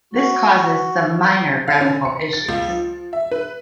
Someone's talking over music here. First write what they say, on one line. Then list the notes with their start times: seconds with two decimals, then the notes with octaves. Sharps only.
This causes some minor graphical issues.
0.14 F#4
1.68 F5
1.81 C#4
2.05 C#7
2.33 A6
2.49 C#2
2.68 F3
3.13 E5
3.31 B4